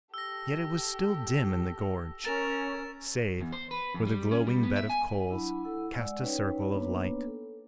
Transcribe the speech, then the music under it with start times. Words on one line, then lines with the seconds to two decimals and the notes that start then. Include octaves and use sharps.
Yet it was still dim in the gorge, save where the glowing bed of coals cast a circle of light.
0.14 G4 A4 E6 A#6
2.25 C#4 A#4 A6 E7
3.40 E2
3.52 C5
3.71 B4
3.94 F2
4.07 G3
4.31 C#4
4.47 G3
4.63 B3
4.76 E5
4.90 G#5
5.29 F#3 D4 E4 F#5 B5
5.64 E4 A4 F#5 E6
5.95 G#3 D5 F#5 G#5 E6
6.21 C#4 D#4 B4 C#5 G5
6.73 A#3 B3 D4 B4 C#5
7.26 A4